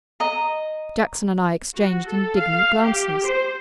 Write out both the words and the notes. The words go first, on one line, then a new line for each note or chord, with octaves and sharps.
Jackson and I exchanged indignant glances.
D#5 A#5
F#4
A4
F5
G4
C5